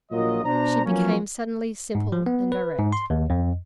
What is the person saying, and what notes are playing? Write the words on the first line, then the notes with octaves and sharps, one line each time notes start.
She became suddenly simple and direct.
A#1 A#2 F#3 F4 A#4 D#5
B2 D4 C5 A#5
F3 F#3 A#3 B3 C#4
G#2
F3
B3
B4
G#2
C6
D#2
F2